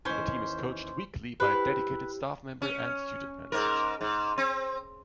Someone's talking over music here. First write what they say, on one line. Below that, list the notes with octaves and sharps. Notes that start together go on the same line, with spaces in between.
The team is coached weekly by a dedicated staff member and student managers.
D#2 E3 C#4 C5
E4 G4 B4 C5
C#4
G#2 A#4
G#2
C4